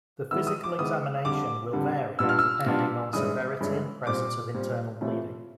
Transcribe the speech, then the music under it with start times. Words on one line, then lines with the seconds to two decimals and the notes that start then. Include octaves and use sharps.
The physical examination will vary depending on severity and presence of internal bleeding.
0.31 D#3 G#3 B3 E4 E6
0.47 D#6
0.63 D6
0.79 D#3 G#3 B3 E4 D#6
1.25 F2 D3 G3 D6
1.73 F2 D3 G3
2.19 A#2 G3 B3 D4 F4 E6
2.29 F6
2.39 E6
2.66 A#2 G3 B3 D4 F4
3.13 G2 E3 G#3 C#4 D#6
3.60 G2 E3 G#3 C#4
4.06 A#2 G3 C4 D6
4.54 A#2 G3 C4
5.01 C3 E3 A3 C#4 F4